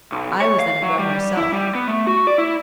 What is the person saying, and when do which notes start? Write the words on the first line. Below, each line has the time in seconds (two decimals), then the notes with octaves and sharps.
I was then a Grub myself.
0.12 B1
0.41 C#5
0.60 F5
0.83 F#3
0.99 G3
1.37 E4
1.52 G3
1.75 B3
1.88 A3
2.07 F#4
2.27 D5
2.38 E4